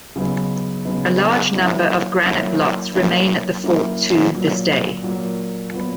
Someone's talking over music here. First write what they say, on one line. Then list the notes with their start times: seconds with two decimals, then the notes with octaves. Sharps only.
A large number of granite blocks remain at the fort to this day.
0.16 C#3 F#3 B3 D#4
0.85 C#3 F#3 B3 D#4
1.55 F#3 A#3 C#4 E4
2.23 F#3 A#3 C#4 E4
2.93 F#3 A#3 C#4 E4
3.64 F#3 A#3 C#4 E4
4.32 A#2 F#3 A#3
5.02 A#2 F#3 A#3
5.71 A#2 F#3 B3